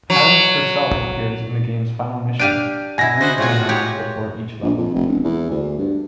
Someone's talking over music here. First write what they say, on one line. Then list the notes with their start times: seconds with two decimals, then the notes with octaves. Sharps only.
Adams herself appears in the game's final mission to brief Manon before each level.
0.10 F#3
2.40 D4 G4 F5 D7 D#7
2.98 B2 E4 G#5 A#6
3.21 F#4 B4 C5 D#5
3.38 A2 G#3 F4 F#4 G#4
3.69 G4 C#5
4.63 A#1
4.77 F2
4.94 F1
5.07 E1
5.24 E2
5.51 D2
5.78 G2